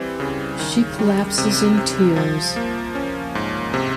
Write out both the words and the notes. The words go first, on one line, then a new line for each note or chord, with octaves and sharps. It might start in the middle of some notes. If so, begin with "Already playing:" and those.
She collapses in tears.
Already playing: E3 G3 C4
C#3
D#3
G3
C3
C3
F3
A#3
C#4
G#2
C3